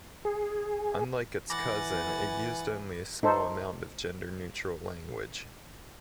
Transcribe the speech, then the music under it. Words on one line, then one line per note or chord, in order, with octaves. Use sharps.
Unlike its cousin, it used only a small amount of gender-neutral language.
G#4
E3 F#5 G#5 B5 D6 A6 A#6
D#4 A4 C5